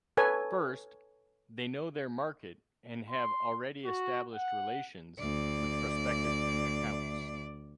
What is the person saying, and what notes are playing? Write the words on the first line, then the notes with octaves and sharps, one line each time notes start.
First, they know their market and have already established relations with prospective accounts.
A4 B4 C#5 G#5
C6
F#4
F#5
D2 D5